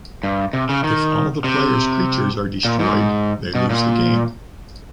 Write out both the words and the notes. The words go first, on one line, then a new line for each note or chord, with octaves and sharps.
If all the player’s creatures are destroyed, they lose the game.
G2
C3
C#3
D#3
C3
A#2
G#2
B2
A#2